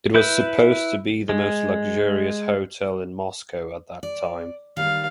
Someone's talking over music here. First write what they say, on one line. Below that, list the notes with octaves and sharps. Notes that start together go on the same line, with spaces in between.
It was supposed to be the most luxurious hotel in Moscow at that time.
E4 B4 G6
G#3
D5
D#3 G3 F5